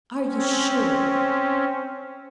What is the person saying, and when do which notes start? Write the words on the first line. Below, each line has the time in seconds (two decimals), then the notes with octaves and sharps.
Are you sure?
0.19 C4 C#4